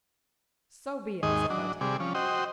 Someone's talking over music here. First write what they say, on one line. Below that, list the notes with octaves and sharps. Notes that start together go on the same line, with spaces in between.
"So be it," said d'Artagnan.
D#2 G#2 D#3 G#4 D#5
F#3 D4
C3 G3 G#4 D5
F3 C#4
F#4 C5 D#5 G5